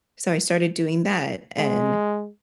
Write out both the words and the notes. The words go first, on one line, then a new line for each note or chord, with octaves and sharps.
So I started doing that, and
G#3